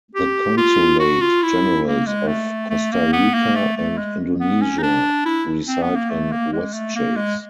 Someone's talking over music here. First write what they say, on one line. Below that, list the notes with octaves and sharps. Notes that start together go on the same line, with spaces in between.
The consulate generals of Costa Rica and Indonesia reside in Westchase.
G4
F4
F#4
F4
E4
A#3
G#3
A3
A3
A#3
B3
A#3
A3
A3
G#3
B3
C#4
D#4
D4
E4
C4
B3
A#3
A3
A#3
G#3
A3
A#3
G#3